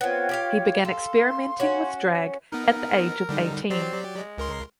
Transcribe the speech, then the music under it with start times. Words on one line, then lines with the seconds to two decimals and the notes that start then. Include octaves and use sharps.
He began experimenting with drag at the age of eighteen.
0.01 B3 C4 F4 C#5 G5
0.29 G4 G#4 F5
0.85 A4 F5 C6
1.60 C#4 F#4
2.52 B3 D#4 A#4
3.29 D3 G3 D#4
3.70 F#3 C4 G4 D5
4.18 G#3
4.38 C#2 A#4 C6